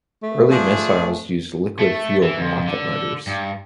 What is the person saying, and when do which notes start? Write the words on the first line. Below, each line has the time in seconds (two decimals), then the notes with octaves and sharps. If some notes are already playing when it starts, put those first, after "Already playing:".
Early missiles used liquid-fueled rocket motors.
0.23 A3
0.52 F3 D4 G#4
1.79 A3
2.23 E3
2.38 F2
2.67 D3
3.27 G2